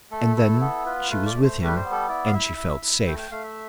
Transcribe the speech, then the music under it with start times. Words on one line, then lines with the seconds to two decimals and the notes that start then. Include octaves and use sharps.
And then she was with him, and she felt safe.
0.11 A3 A4
0.36 E4 A4
0.60 B3 A4
0.86 F4 B4
1.10 A3 B4
1.26 D5
1.35 A3
1.43 C5
1.59 G3
1.65 B4
1.76 C5
1.84 B3
1.92 A4
2.09 E4 D5
2.26 F5
2.33 E4 E5
2.57 E4
2.83 E4
3.07 A3 G5
3.19 G5
3.31 A3 F5
3.43 E5